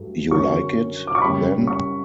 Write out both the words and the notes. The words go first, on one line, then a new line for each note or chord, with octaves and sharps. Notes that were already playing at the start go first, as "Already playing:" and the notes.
You like it, then?
Already playing: G2 F#3 A3
F#2 D3 F#3 C#4 C#6
D6
C#6
F#2 C#3 G3 C#4 B5
C#6